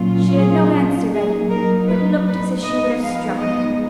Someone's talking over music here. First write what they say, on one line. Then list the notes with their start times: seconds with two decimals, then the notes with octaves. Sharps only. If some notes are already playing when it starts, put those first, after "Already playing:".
She had no answer ready, but looked as if she would have struck me.
Already playing: A#2 F#3 C#4 F4
0.37 G#4
1.12 F#3 A#3 D#4 G#4
1.50 A#4
1.88 B4
2.26 B4
2.63 F3 G#3 B3 D#4 D#5
3.01 F5
3.38 D#5